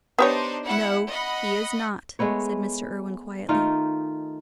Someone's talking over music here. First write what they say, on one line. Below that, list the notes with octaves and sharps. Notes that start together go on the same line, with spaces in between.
"No, he is not," said Mr. Irwine, quietly.
B3 D4 D#4 G4 C5 C#5
E4 F#5
D#5 F#5 B5
G#3 A3 B3 C#5
D#3 A3 D#4 F4